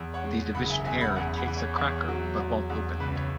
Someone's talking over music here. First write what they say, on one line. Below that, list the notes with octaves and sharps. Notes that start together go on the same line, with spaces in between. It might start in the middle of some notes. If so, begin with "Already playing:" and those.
The Divisionnaire takes a cracker but won't open it.
Already playing: E2
C#5 F#5
G#3
F#1 F#5 B5
E5 G#5
E2 E5 G#5
F#5 B5
E2 F#5 B5
F#5 B5
E3
C#5
E2 C#5
F#3
E2
E2
C#2 B4
C#5